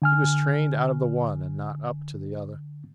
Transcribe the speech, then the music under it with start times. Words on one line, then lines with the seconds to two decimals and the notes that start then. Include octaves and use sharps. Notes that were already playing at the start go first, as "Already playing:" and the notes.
He was trained out of the one and not up to the other.
0.02 D3 G#5 F6